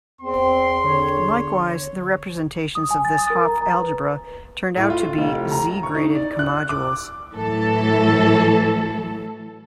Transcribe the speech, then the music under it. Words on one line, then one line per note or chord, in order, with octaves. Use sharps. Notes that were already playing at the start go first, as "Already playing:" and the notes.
Likewise the representations of this Hopf algebra turn out to be Z-graded comodules.
E2 C4 C6
D3 C#5
D#6
G#5
A6
D#6
A#4
A#5
A#5
B4
A2
F4
F1
A#5
C#6
D#4
D5
F#6
D6
A2 E3 F#3 A4